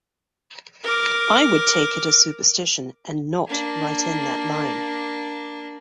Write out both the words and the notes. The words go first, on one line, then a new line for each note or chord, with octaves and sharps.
I would take it as superstition and not write in that line.
A#4 D6
A#3 D4